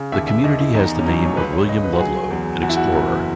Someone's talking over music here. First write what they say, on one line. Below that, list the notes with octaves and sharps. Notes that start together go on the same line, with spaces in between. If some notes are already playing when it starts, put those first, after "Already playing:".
The community has the name of William Ludlow, an explorer.
Already playing: C#3
D#2 E5
E5
D#2 D#5
E4
E2 D#4
C#4
F#3 D#4
C#5
C#2 B4
C#5
C#2 D#5
B4
F#4
F#3 G#4
E2
E2 F#4
E4
F#4
F#1